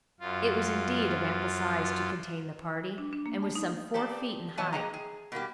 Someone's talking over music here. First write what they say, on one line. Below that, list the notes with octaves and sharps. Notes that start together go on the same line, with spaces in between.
It was indeed of ample size to contain the party, and was some four feet in height.
F#2 F4
D4
D4
A#3
A3
D#4
G4 A4 C5 D5
E2 B2 B4 C#5 D#5 A5
A#3 G#4 D#5 G5 A#5
G#4
B2 G3 A#3 G4